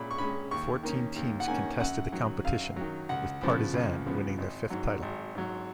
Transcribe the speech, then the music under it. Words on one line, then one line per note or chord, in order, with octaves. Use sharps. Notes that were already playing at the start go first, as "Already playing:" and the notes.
Fourteen teams contested the competition, with Partizan winning their fifth title.
Already playing: A#2 G#3 C#4 B5
C#6
G#3 C#4 B5
D#2 C#6
D#3 A#3 C#4
D#2
F#5
D#3 A#3 C#4 G#5
F#2 F#5
D#3 F#3
F#2 F5
D#3 F#3
C#2 F#5
C#3 F3 B3
C#2
C#3 F3 B3
G#1
G#2 F#3
G#1
G#2 F#3